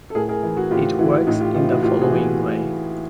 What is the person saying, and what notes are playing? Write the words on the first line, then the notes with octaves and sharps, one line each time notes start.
It works in the following way.
A4
A2 G#4 A#4
G#4 A#4
E3
F#4 G#4
A2 F4 G4
E3 E4 F#4
A2 D#4 F4
F4 G4
E3 D#4 F4
E4 F#4
A2 F4 G4
F#4 G#4
E3